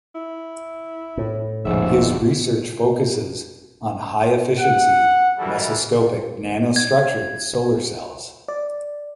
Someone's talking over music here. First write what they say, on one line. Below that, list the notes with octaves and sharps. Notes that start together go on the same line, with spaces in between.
His research focuses on high efficiency mesoscopic nanostructured solar cells.
E4
A2
F1 A#1 G#2 E5
F#5
E3 G3 E4 F#4 A4 A#4
G#6
D5